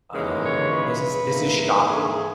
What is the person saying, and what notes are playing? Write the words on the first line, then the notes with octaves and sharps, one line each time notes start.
Oh, this is this is shocking.
D#2 C#3 E3 G#3 A#4
C#5
B4
G#2 E3 A#3 E4
G#4
G#4